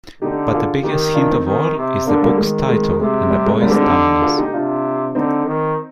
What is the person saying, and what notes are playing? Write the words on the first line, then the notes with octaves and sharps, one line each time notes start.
But the biggest hint of all is the book's title and the boy's dumbness.
D3 D#4 G4
F4 G#4
D#3 D#4 G4
D4 F4
C4 D#4
D#3
C3
D3 A#3 D4
G3 A#3
D#3 G#3
G#3
C3 G#3
G3
G#3
D3 G3 A#3
G#3 C4
D#4 G4
F4 G#4
D#4 G4
C3 D4 F4
D3 C4 D#4
D#3